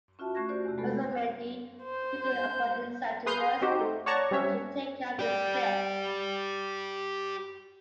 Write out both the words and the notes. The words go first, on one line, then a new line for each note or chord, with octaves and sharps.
Arizmendi, took it upon himself to nurse and to take care of the sick.
C#4 F4 F#4 E5 A5
A3 C#4 C#6 F#6 G#6 A#6
F#4 G4 C5 D5
E2 C3
G#3 A3 B3 A4 B4
C5
G6
G#4 B4 C6 D#6 F6 G6
C4 D#4 F#4 G4 C5
A3
C#5 D5 F#5 A5 A#5 C#6
G3 C4 C#4 C#5 E5
G4 D5